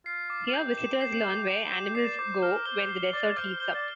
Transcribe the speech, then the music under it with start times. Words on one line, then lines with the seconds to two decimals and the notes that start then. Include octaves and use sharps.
Here visitors learn where animals go when the desert heats up.
0.06 F4 C7
0.30 D6
0.46 F4
0.53 G4 G6
0.78 E7
1.01 G4 C7
1.24 D6
1.48 G6
1.72 E7
1.95 D5 C7
2.19 C5 D6
2.42 A#4 F6
2.66 C5 G7
2.89 C7
3.13 D5 D6
3.37 C5 F6
3.60 C5 G7
3.74 D5